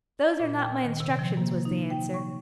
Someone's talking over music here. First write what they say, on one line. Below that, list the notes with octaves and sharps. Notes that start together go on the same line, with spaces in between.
'Those are not my instructions,' was the answer.
A#2
G5
D#3
C3
F3
A#3
D#4
G5
C#6